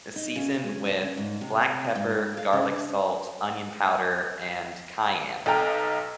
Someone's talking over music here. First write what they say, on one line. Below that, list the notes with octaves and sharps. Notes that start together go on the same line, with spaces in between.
Uh, season with black pepper, garlic salt, onion powder, and cayenne.
D#4
C#3
G#3
D4
C#3
G#2
C3
G#2
F5
C#3
D4
B1 A4 G5 A#5 F6